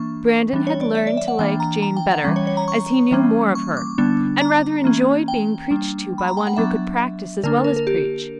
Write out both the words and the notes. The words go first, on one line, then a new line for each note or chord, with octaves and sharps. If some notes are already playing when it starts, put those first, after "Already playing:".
Brandon had learned to like Jane better as he knew more of her, and rather enjoyed being preached to by one who could practise as well as preach.
Already playing: E3 A#3 D4 C#6
E3 G3 B3 D4
C#5
D5
E5
D5
E5
F#5
E3 A#3 D4 G5
A#5
A#5
G5
F#5
E3 G3 C#4
C#5
C#5
A#5
C#6
E3 G3 A#3 C#4
C#6
D6
D3 G3 B3 D4
A#5
E3 A#3 C#4
G5
G3 A#3 D4
B5
A#5
G5
F#5
F#3 B3 D4 E5
D3 A#3 D4 A#4
A#4
A#4
G4